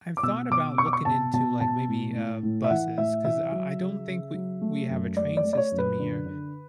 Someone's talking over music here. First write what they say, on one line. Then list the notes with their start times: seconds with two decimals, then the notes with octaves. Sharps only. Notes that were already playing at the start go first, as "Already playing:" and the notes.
I've thought about looking into, like, maybe, uh, buses 'cause I I don't think we we have a train system here
0.17 D6
0.23 B2 E6
0.50 B2 D6
0.78 B2 C#6
0.86 D6
0.93 C#6
1.05 B2 A5
1.33 B2 A5
1.60 B2 A5
1.88 A2
2.15 A2
2.43 A2
2.64 E5
2.70 E3 F#5
2.98 A2 E5
3.25 E3 E5
3.52 F#3
3.80 C#3
4.07 C#3
4.34 F#3
4.62 A3
4.90 F#2
5.16 A3 D5
5.37 D5
5.45 A3
5.53 D5
5.57 C#5
5.72 F#2
5.78 B4
6.00 D3
6.26 D3